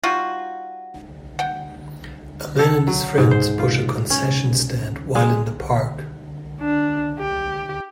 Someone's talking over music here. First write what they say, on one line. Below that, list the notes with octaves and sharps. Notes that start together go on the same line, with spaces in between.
A man and his friend push a concession stand while in the park.
G3 D#4 F4 F#4
F#5 G5
A4
F#3
G#2
C5
F4
C#4
G#3
D4
G4